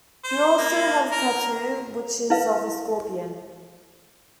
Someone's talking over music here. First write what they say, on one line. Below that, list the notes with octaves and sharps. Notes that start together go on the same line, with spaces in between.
He also has a tattoo which is of a scorpion.
C5
A#3
A#4
E4 B4 F5